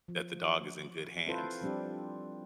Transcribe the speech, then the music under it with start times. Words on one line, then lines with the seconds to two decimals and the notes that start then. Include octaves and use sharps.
that the dog is in good hands.
0.08 F3
1.27 C4 E4 F4 A4 B4 C5
1.61 F3 G3 C4 D4 G4